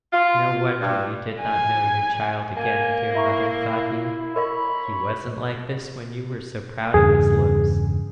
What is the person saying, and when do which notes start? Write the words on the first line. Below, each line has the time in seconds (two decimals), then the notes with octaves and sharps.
'No wonder you did not know your child again, dear mother,' thought he; 'he wasn't like this when you were so proud of his looks.'
0.13 F4
0.81 G2
1.42 G#5
2.57 A#3 G#5
3.15 E4 E5 A#5 C#6
4.36 A#4 C#5 D#5 F5 B5
6.94 E2 G2 C#3 G#4